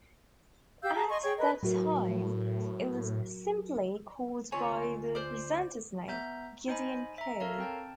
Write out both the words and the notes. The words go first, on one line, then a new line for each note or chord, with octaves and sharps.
At that time, it was simply called by the presenter's name, "Gideon Coe".
G4 F5 E6 G6
G#4 A5 A#5
D#5 G#5 C6 C#6
G#4 C#5 G5 C#6
A#4 B4 D#5
A2 F#3 F#4 A#4
D2 F4 C#5 G#5
C5 D5
B3 E5 A#5 G6
D#4 C5 D#5 G#5 B5
E5 A#5
A4 A#4 C#5 F5 A5 A#5
C4 G5 A5